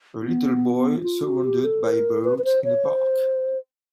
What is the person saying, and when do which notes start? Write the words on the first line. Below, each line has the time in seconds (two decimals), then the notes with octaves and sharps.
A little boy surrounded by birds in a park.
0.23 B3
1.04 F4
1.24 F#4
1.44 G4
1.64 A4
1.84 A#4
2.24 B4
2.38 B4
2.45 C5
2.64 C#5
2.85 C5